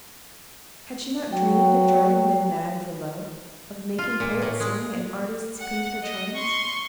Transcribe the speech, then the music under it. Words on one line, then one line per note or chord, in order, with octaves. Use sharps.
Had she not dreamed of driving men mad for love, of making poets sing, and artists paint her charms?
F#3 G5
F4
A#2
A2
G#3
F#5
D#5
C6 C#6